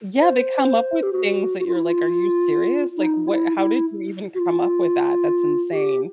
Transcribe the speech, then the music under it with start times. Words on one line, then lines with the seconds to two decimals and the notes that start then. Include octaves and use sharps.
Yeah, they come up with things that you're like, "Are you serious?" Like, "What how did you even come up with that? That's insane."
0.21 C5
1.03 G4
1.13 F#4
1.60 F#4
1.66 F4
1.75 E4
1.83 F4
2.97 D#4
3.27 F4
3.32 E4
3.57 E4
4.35 F#4
4.39 F4
5.72 G4